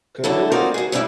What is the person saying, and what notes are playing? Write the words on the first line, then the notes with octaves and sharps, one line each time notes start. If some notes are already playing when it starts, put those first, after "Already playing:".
'cause it wasn't
D3 F#3 E4 A4
C4 D#4 F4 F#4 A#4 D5
F#4 G#4
A2 G3 A#3 C#4 E4 D5